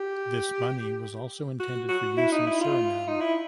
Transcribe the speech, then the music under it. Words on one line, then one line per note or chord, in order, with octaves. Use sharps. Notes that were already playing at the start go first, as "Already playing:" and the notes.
This money was also intended for use in Suriname.
Already playing: G4
F#4
F#4
E4
D#4
E4
F4
D#4
E4